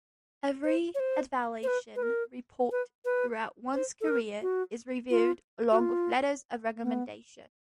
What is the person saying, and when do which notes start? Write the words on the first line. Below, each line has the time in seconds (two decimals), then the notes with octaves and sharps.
Every evaluation report throughout one's career is reviewed, along with letters of recommendation.
0.65 C5
0.95 C#5
1.00 C5
1.63 C5
1.67 B4
1.96 B4
2.03 A#4
2.72 B4
3.05 B4
3.74 C5
4.01 A4
4.08 A#4
4.42 F#4
5.10 F4
5.72 F#4
5.80 F4
6.83 B3